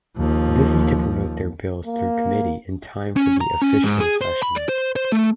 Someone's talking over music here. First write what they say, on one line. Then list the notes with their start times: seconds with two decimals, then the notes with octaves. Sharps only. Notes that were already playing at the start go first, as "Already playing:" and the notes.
This is to promote their bills through committee in time for the official session.
0.18 D#2 F3
1.86 A#3
3.16 C#4
3.41 A#5
3.62 C#4
3.83 G#2
4.00 G#4
4.21 C5
4.43 B5
4.56 D5
4.69 C5
4.96 C5
5.12 A3